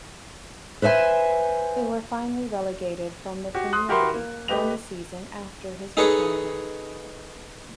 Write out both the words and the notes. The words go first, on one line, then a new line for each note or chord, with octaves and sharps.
They were finally relegated from the Premier League one season after his retirement.
B4 C5 E5 G#5
F#4 G4
C6 D#6 F#6
F#4 G4 A#4 E5 B5 C6
A#3
A3 G4 B4 D#5 F7
D#4 G#4 A4 B4 C#5 D#5